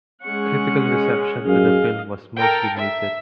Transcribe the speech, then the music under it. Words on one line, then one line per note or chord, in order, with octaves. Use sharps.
Critical reception to the film was mostly muted.
G#3 C#4 F#5 C#6
F#2 G#4 D#5 F5
A4 A#4 G5
E5